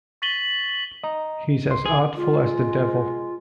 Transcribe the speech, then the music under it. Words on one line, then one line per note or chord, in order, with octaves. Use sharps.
He's as artful as the devil.
C#6 A6 B6 D#7 F#7 G7
D#5 A#5
C#2 C6
G#4
G#3 F4